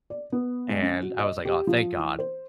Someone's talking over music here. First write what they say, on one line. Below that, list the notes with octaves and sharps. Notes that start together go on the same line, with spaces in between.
and I was like, "Aw, thank god,"
D5
B3
G#3
C#4
F#4
D#5
G4
F3
E3
C5